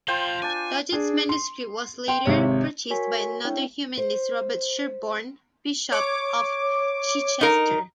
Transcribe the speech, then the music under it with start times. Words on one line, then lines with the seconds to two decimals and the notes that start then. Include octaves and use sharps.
Doget's manuscript was later purchased by another humanist, Robert Sherborn, Bishop of Chichester.
0.08 F4 C5 G5 A5 C6
0.42 D4 G#5 A5
0.92 D4 G#4
1.29 C6
2.08 G5 C6
2.25 G#1 C3 C#5
2.90 F#4 A#4 C#5 G#5 C#6 B6
3.45 C4 D4 E4 C#5 G5
3.98 C5
5.92 C#5 D6
7.41 D#4 A#4